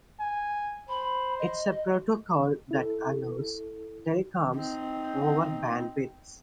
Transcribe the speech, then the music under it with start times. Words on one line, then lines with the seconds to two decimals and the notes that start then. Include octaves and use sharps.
It's a protocol that allows telecoms over bandwidths.
0.20 G#5
0.89 C5 B5
1.39 D#5
2.71 E4 A4
4.55 C4 D#4